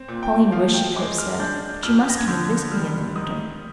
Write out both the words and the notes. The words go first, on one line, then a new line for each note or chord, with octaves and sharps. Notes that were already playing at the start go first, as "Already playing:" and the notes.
Pauline wished she could have said: But you must come and visit me in the winter.
Already playing: C4
A#2
G5
F3 F5
G5
G#3 D6
F6
D4 G6
F2 F6
A#6
G#6
D3 G6
G3 F6
D#3 D#6